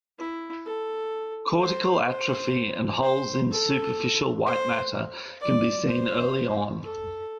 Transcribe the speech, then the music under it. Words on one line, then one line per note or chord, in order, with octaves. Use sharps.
Cortical atrophy and holes in superficial white matter can be seen early on.
E4
A4
C5
C5
C5
A4
C5
D5
C5
A4